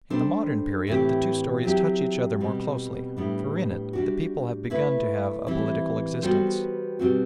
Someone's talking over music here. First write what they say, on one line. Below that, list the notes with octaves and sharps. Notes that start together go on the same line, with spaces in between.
In the modern period the two stories touch each other more closely, for in it the people have begun to have a political existence.
G3 D4 A4 C5
A2 E3 A3 C4 G4
F#3 C4 E4 G4
B2 G3 C4
A2 G3 B3 D4
G3 D4 F#4
A3 E4 B4
E3 G3 C4 E4
G3 B3 F#4 A4 C5
B2 G3 C4 F#4